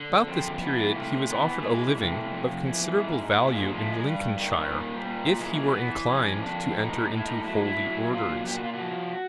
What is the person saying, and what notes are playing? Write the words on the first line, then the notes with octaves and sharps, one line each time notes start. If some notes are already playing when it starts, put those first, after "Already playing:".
About this period he was offered a living of considerable value in Lincolnshire, if he were inclined to enter into holy orders.
Already playing: D3
F2 C4
C4
E3 B3
C3 A3
E3 B3
A3
E3 G#3
C3 A3
F2
E3
G#2
A#2 G#3
F3
A3
G#3
G2 G3
D#3 G3
A#2
A#2
E3 G#3
G#3
E3 B3
F2 C#4
F2 D4
A2 D#4
A2 D#4
E4
D#4
F#3 E4
D#4
E4
F#3
A#2 F4
A#2 G4
F#4
F4
F#4
F3